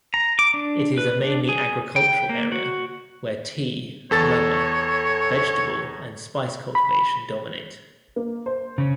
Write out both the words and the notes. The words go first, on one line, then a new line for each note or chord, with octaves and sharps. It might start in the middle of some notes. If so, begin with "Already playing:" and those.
It is a mainly agricultural area, where tea, rubber, vegetable and spice cultivation dominate.
A#5
D6
D4
B4
D4
G#4
G5
A#3
F#4
E2 A4 C#5 A6
B5
A#3
C5
C#3 C#4